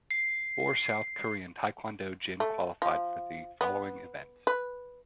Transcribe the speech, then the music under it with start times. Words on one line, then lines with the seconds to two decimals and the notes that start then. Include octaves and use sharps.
Four South Korean taekwondo jin qualified for the following events.
0.11 C7
2.40 A3
2.82 F3
3.61 B3
4.47 B4